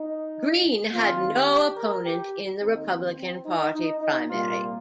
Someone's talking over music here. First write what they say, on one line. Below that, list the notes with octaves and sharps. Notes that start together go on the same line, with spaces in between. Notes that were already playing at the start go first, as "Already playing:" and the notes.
Green had no opponent in the Republican Party primary.
Already playing: D#4
D#2 D#3 C4 F4
G4
A#4
G4
D#2 D#3 C4 D#4
C4
C4
D#4
D#4
D#4
C2 A#2 G3 A#3 F4